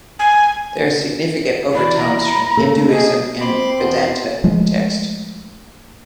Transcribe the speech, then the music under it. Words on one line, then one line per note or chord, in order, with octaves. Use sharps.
There are significant overtones from Hinduism and Vedanta text.
G#5
E3 D5 B5
A#5
A3 A#3 A4
G#4 D#5
C4 B5 C6 D6
E2 C6
F3 G#3 A3